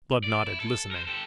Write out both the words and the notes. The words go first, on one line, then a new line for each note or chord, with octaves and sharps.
Blood nodded, listening.
D5
E4
A4
A#4 C5
G4 A4